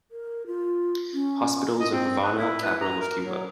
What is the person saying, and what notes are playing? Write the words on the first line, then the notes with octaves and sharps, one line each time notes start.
Hospitals in Havana, capital of Cuba.
A#4
F4
C#4
D#5
C4
B4
E4
B4
A#5
A#4
F#3